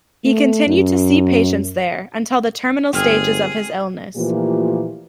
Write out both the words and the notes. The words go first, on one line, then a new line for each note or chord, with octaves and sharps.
He continued to see patients there until the terminal stages of his illness.
A3
F#2
G1 C4 G#4 F6
A#2 E3 F3 A3 A#3 G4